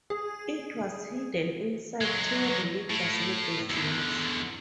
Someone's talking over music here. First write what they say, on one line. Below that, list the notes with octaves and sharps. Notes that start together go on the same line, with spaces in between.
It was hidden inside two religious magazines.
G#4
F#3 G#3
A2
E2 D3